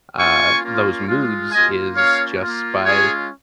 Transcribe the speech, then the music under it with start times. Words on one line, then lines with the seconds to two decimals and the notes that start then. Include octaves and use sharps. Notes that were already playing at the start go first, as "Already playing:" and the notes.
uh, those moods is just by,
0.18 A#3 C#4 F4 G#5 C#6
0.63 A#3 C#4 F4
1.08 G#3 F4
1.51 A#3 F4 D#5 G#5
1.96 A#3 C#4 F4 C#5 F5
2.41 A#3 F4
2.85 G#3 C#4 F4 G#4 C#5